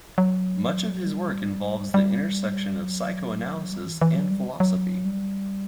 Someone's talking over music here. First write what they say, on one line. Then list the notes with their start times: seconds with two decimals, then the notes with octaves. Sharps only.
Much of his work involves the intersection of psychoanalysis and philosophy.
0.18 F#3
1.06 G3
1.94 G3
2.84 F#3
3.72 G3
3.86 E3
4.01 E3
4.15 F#3
4.30 G3
4.60 F#3
5.05 G3